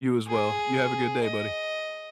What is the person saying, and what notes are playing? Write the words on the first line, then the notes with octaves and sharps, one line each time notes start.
You as well. You have a good day, buddy.
G#4
D#5